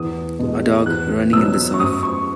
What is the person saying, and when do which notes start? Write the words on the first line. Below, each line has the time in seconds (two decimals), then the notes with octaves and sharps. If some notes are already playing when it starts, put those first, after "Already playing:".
A dog running in the surf.
Already playing: E2 D#6
0.39 B2 G#3
0.86 E2 F#6
1.33 B2 F#3 E6
1.74 C#6
1.79 F#2 D#6
2.03 C#6